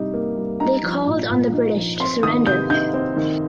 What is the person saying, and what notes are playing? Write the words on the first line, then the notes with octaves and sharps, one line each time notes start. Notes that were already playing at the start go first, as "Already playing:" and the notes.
They called on the British to surrender.
Already playing: C3 G3 D#4
A#3
G3
D#4 A#5
F3
A#2
A#2
D#4
F3
C4 C6
D#3 D#6
C3 G6
D#4 G6
C4
D#3